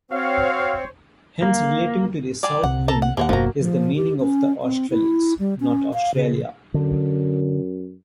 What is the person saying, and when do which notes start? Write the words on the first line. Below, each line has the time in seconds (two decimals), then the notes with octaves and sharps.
Hence relating to the south wind is the meaning of australis, not Australia.
0.11 C4 F#4 C5 C#5 F5
1.42 A#3
2.43 G3 G#4 D5
2.64 C2 C3 F#5
2.88 A4 A5 A#5
3.02 F#5
3.17 D#2 A#3 C#5 F#5
3.29 F#1 F#2 B2 F3 A#3 F#4 A#5
3.58 F3
3.96 G4
4.20 C#4
4.62 C4
4.90 E4
5.39 G3
5.60 C#4
5.93 F5
6.15 C#3
6.74 F#2 D3